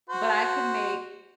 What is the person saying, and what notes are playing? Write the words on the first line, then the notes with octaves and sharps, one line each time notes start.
But I can make
F#4 C5